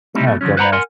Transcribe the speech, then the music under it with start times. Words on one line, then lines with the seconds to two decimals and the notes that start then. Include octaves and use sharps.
Oh goodness.
0.15 G3 A3 C4 D#4 E4 G4
0.26 F#2 B2 A3
0.41 D3 F3 F#3 C#4
0.57 B4 C5 F#5 G5 A#5 B5
0.72 A#4 F#5 G#5 C6